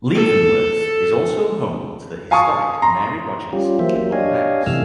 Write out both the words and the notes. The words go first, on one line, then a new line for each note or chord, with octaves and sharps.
Leavenworth is also home to the historic Mary Rogers Kimball House.
A4
F5 G#5 A5 C#6 D#6
A#5 C6
G3 C#4 F4 G4
E3 F#3 A#3 C5 E5
F#3 A#3
D4 G4 C#5 D#5 F5 G#5
F#2 C3 E3 A3 E6 F6